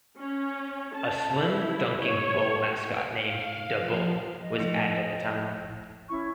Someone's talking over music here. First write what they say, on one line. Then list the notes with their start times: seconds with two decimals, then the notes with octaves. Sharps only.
A slim, dunking bull mascot named "Da Bull" was added at the time.
0.18 C#4
0.96 A5
1.37 E4
2.03 C#5
3.17 F5
3.74 F3
4.42 D#5
4.59 F3 A3 D#4
6.09 C#4 E4 C#6